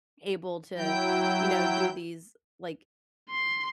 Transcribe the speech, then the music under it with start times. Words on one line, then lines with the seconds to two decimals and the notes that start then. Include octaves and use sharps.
able to, you know, do these, like
0.77 F#3 E4 G5 G6
3.30 C6